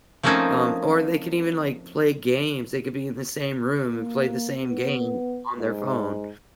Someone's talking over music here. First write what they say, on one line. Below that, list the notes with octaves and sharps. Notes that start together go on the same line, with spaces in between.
Um, or they could even, like, play games, they could be in the same room and play the same game on their phone.
F3 A3 A#3 C4 C#4 D#4
A#3
B3
G#2